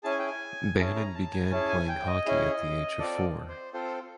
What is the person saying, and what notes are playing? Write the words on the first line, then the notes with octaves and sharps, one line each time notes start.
Bannon began playing hockey at the age of four.
C#4 E4 G#4 A5
G#5
G5
G#5
C#4 E4 G#4 A5
A#5
A5
G#5
C#4 E4 G#4 A5
G#5
G5
D#5
C#4 E4 G#4
C4 F4 A4 D5
C5
C4 F4 A4 C5